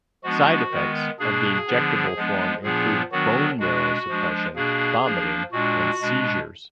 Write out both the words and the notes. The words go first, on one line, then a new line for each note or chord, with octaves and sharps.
Side effects of the injectable form include bone marrow suppression, vomiting, and seizures.
F3 G#3 B3 D4 F#4
D#3 G#3 B3
B2 A#3 D4 G#4
D3 F3 B3 D4
F3 G#3 B3 D4
A#2 F3 B3 D4 G#4
D#3 F#3 B3 D4 F#4
B2 G#3 D4 F#4
F3 G#3 D4
B2 A#3 D4 G#4
F3 A#3 D4
A#2 G#3 D4 F#4
B2 G#3 D4